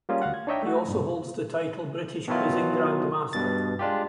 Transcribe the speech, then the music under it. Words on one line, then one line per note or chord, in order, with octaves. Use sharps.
He also holds the title "British Quizzing Grandmaster".
G3 A#3 C#4 F4 G#4
D2 F#4 F5 F#5
G#6
D4 D#4 C#5 D#5 E5 G5
A3 F#4
G2 A#2
B2 D#3 F#3 E4 F4
G2 B2 A6
G#3 D4 F4 G4